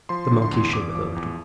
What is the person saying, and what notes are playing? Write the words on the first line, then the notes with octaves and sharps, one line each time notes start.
The monkey shivered a little.
F3 C6
D3
C6
E2
E2 D6
F3
E2